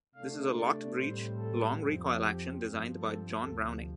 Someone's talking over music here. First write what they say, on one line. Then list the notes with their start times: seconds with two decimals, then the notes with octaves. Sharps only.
This is a locked-breech, long recoil action designed by John Browning.
0.15 C3 A3 D4 F5
0.55 D5
0.96 A2 G3 C4 C5
1.36 A4
1.77 F2 F3 C4
2.17 G4
2.57 G2 F3 C4
2.98 A4
3.38 D2 C3 F3 A4